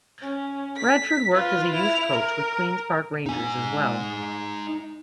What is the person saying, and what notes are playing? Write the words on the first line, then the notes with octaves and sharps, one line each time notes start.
Radford worked as a youth coach with Queens Park Rangers as well.
C#4
B6
F4 B4
E4 F7
A#4
D#4 G#5